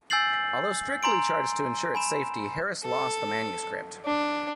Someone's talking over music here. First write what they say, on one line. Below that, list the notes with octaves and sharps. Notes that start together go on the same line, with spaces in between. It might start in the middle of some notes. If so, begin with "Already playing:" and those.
Although strictly charged to ensure its safety, Harris lost the manuscript.
G#5 E6 G6 A6 C7 F#7
G#5 A#5 C6 D7
G#5 B5 E7
A4
D4